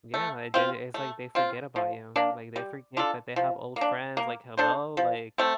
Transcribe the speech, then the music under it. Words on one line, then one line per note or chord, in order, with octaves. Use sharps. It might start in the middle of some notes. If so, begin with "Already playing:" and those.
Yeah, they they it's like they forget about you. Like, they forget that they have old friends like, "Hello?" Like
A3
C4 F4
A3
C4 F4
F3
A#3 D4
G3
D4 F4 A4
F3
A#3
D4
A#3
D4 A4 C5
F3
A3 C4